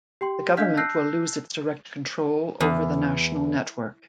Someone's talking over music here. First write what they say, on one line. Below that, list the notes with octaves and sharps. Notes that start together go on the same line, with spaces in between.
The government will lose its direct control over the national network.
G4 G5 C6
D4 D#5 F5 F6 G6 B6
A5 E6 F#6 G6 A#6 C7
E2